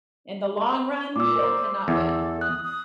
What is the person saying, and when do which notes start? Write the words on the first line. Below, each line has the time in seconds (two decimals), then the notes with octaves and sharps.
in the long run, evil cannot win.
1.16 A#2 D6 E6
1.36 A#4 C5 D5
1.88 E2 A4
2.41 D#6 F#6
2.64 D#6